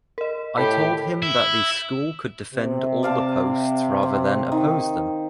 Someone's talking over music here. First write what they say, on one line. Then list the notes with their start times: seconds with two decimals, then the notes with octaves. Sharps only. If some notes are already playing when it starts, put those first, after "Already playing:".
I told him that the school could defend all the posts rather than oppose them.
0.18 A#4 D#5
0.57 A2 G4 A5 B5 B6
1.23 E4
2.54 C3
3.03 D5 F5 A5
4.03 C4
4.52 D#3